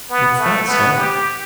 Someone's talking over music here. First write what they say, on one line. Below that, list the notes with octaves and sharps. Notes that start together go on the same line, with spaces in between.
"What's that, sir?"
B3
A3
B3
G4